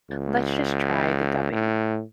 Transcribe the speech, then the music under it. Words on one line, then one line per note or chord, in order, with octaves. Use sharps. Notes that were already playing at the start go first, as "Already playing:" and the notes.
let's just try the dubbing,
C#2
A2